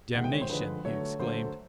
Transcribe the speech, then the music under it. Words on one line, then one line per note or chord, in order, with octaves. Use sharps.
"Damnation!" he exclaimed.
C3 D#3 G#3 F#5
G5
C#5
C5
D3 F3 G#3 B4
D3 F#3 A3 C#5
D3 F#3 A3 C5